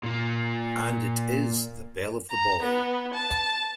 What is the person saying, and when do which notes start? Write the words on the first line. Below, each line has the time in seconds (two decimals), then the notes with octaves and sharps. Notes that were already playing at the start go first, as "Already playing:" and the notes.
And it is the belle of the ball.
0.04 A#2 A#3
2.31 A#5
2.63 B3
3.14 A5